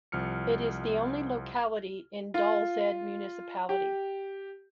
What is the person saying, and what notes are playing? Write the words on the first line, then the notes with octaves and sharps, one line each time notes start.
It is the only locality in Dals-Ed Municipality.
C2 F3 F6 C#7
F4
G4